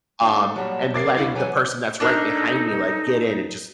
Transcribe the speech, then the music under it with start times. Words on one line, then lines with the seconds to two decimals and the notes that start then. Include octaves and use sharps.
Um, and letting the person that's right behind me like get in and just
0.21 F#3 D4 D#4 F5
0.38 A3
0.56 A#2 F#3 G3 F#4 A5
0.94 A#4 D6 G#6 A6 C7
1.17 D#1 D2 D3 E4 F5
1.35 E3 F#3 G#4 B4 G#5
2.00 D4 D#4 A4 A#4